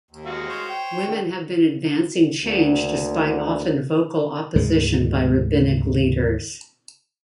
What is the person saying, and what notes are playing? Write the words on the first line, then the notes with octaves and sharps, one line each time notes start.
Women have been advancing change despite often vocal opposition by rabbinic leaders.
D#2
G#3 F#4 F5
C5 C#5
G5
D3 D#3
D2 D3 A#3
D2 G#2 D#3 G#3